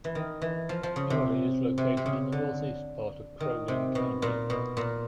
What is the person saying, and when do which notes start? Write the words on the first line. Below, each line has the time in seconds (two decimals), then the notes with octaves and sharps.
Emily is located in the northeast part of Crow Wing County.
0.05 E3
0.15 D#3
0.42 E3
0.69 F3
0.83 F3
0.96 C#3
1.10 C3
1.78 C3
1.97 C3
2.06 C#3
2.32 D3
3.40 D#3
3.68 C3
3.95 B2
4.22 A#2
4.50 B2
4.77 A#2